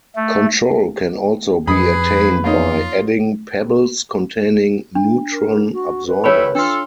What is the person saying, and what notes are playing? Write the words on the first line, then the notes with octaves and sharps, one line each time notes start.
Control can also be attained by adding pebbles containing neutron absorbers.
A3
F2 G#4 B4 B5 D#6
A#3 C#4 D#4 F4
D4
A#4
F#4
B4
G3 A3 E4 C#5 B5
D4 F4 A4